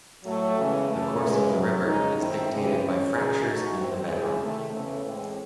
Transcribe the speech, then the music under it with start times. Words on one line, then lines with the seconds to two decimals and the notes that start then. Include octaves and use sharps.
The course of the river is dictated by fractures in the bedrock.
0.25 A2 F#3 A3
0.57 E2 C#3 E3 G#3
0.89 C#3 E3 A3
1.21 E2 C#3 E3 G#3
1.53 E2 C3 F#3
1.85 C#3 G#3 D#4
2.16 D#3 A3 C4 E4
2.48 D#2 C#3 E3 G#3 C4
2.81 D#3 G#3 C#4
3.12 C#3 E3 A3 D#4 G#4
3.44 E3 A3 D#4 F#4
3.76 A2 E3 C4
4.08 C#3 G#3 C4 E4 G#4
4.41 C3 D#3 A3
4.72 E2 C#3 E3 A3
5.04 A2 E3 G#3 C4